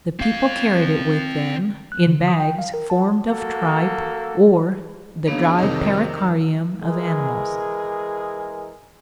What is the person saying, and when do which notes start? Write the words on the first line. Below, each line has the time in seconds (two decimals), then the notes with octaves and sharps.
The people carried it with them in bags formed of tripe or the dried pericardium of animals.
0.20 C4 F5
1.92 F#6
2.06 D3
2.28 D#6
2.40 G5
2.59 F5
2.74 A#4
2.90 A5
3.29 A#3 F#4 A4
5.28 F#3 A#3 B3 D4 D#4 G#4 C#5 F5
5.59 F2 C3 D#3 C4 D#4 A#4
6.82 E3 G#3 G#4 A#4